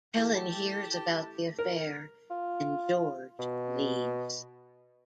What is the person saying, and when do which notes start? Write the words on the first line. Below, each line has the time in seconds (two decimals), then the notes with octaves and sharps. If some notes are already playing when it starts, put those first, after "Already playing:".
Helen hears about the affair and George leaves.
0.17 E3 A3 G4 A5
1.59 A#4
2.31 F4
3.39 B2